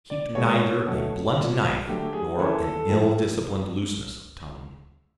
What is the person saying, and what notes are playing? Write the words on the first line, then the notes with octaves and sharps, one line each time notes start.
Keep neither a blunt knife nor an ill-disciplined looseness of tongue.
D5
B2 G#3 C#5
B2 F#3 A3
A#2 G3
D3 F#3 A3 G4
G#4
C#3 E3 G3 A4
A4
A2 F3 A3 A#4